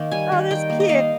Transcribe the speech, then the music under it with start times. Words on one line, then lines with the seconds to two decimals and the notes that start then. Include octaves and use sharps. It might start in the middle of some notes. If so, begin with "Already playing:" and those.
Oh, that's cute.
Already playing: D#3 A#3
0.11 G3 G#5
0.32 D#3
0.51 D#3 G5
0.70 A#3
0.80 D#5
0.89 A#3 F5